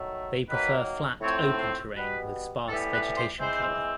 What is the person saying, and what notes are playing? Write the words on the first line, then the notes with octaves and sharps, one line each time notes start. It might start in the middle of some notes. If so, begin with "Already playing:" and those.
They prefer flat, open terrain, with sparse vegetation cover.
Already playing: D#3 F#3 A3
D#3 F#3 A#3 B4
A2 F3 A3 C4 C#5
C5
B2 G3 B3 B4
A2 E3 G3 B3 A4
B4
C5
E3 G#3 C4 C5